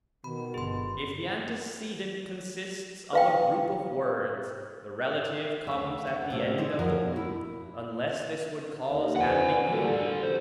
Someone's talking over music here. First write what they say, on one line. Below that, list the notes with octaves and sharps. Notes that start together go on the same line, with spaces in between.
If the antecedent consists of a group of words, the relative comes at the end of the group, unless this would cause ambiguity.
B2 D#3 B5
G1 G#4 C6
B4 F5 G5
D2 E5
F#5
A2 C3 F4
D#3 G#3 D#4 E4
F#2 F3 F#4 A#4
E4
D#2 D#3
F2 F3 B4 D5 F#5 G#5
D3 E3 G3 F#4 G4 A4 A#4
C3 C5